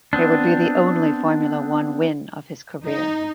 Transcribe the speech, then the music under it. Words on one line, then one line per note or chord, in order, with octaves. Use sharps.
It would be the only Formula One win of his career.
B3 C4 D4
D#4